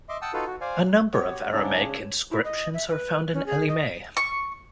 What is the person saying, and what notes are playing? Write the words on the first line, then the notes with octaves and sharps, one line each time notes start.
A number of Aramaic inscriptions are found in Elymais.
D#5 E5 C6 D6
F#5 G5 A5 D#6 E6
D#4 F4 F#4 A4 B4 F5
F#4
C5 D5 F5 G#5
B3 F#4 G4 C#5
G#2 C#3 D4 A4 D5
E4
D#5
E5
B4
C#4
G#4
D#5
C#6